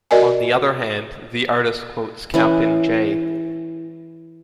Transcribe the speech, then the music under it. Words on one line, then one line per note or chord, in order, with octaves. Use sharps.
On the other hand, the artist quotes Captain J.
F#4 A#4 D5 D#5 G#5
E3 C#4 E4